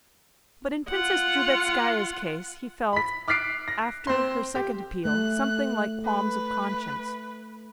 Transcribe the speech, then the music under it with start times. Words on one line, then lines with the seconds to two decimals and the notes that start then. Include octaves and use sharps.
But in Princess Drubetskaya's case he felt, after her second appeal, something like qualms of conscience.
0.90 F4 F#5
2.93 B5 B6
3.28 D6 F6 F#6 B6 C7 D7
3.68 A#6
4.07 C4 C6
4.55 G4
5.05 A3 F#6
6.04 B4